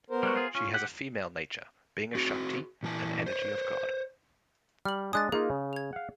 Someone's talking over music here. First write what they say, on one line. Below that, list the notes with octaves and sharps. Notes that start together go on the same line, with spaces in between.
She has a female nature, being a shakti, an energy of God.
B3 A#4 C5
G3 G#3 F#4
F4 G#4
C#4 F4
G4 F#5
C4 F#4 G#4
A#2 E3 A5
C5 C#5
G3 F6 F#7
G#3 D4 G#5 D#6 F#6 A6
A#3 D#4 F4 G#4
C#3
G#6 F7
F5 F#5